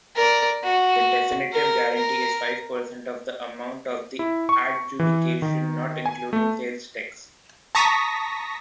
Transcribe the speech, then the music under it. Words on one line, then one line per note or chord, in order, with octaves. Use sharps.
The definitive guarantee is five percent of the amount of the adjudication, not including sales tax.
A#4 D5
F#4
A#4
A#4
E4
C#6
E3
D#3
G#5
A3
A5 A#5 C#6 D#6 A#6 B6